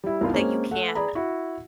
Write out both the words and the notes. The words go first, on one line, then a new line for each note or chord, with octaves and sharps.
that you can,
G3 E4
C2 B3 D#4 F4
G#3 A#3 C4 C#4
A3 F#5
G#4 D5 A#5 B5
E4 F#4